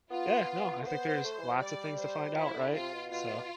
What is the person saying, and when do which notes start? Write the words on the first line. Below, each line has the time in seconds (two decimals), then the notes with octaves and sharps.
Yeah, no, I think there's lots of things to find out, right? So,
0.11 B3 F4
0.82 A3
0.85 B3 C5
1.24 A3
1.39 E3
1.50 F3
1.61 G3 D5
1.99 C5
2.35 F3 E4
2.54 D3
2.73 C3 F4
2.93 B2
3.11 B2 F4